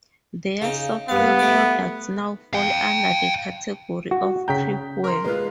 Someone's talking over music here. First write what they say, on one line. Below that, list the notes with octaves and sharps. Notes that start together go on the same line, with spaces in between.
Their software products now fall under the category of crippleware.
C#3 D#4
G2 B3 F5
A3 D5
F5 G5
F#4
C#3 G5 A#5 G6 B6
A#4 C6
G#3 F4 B4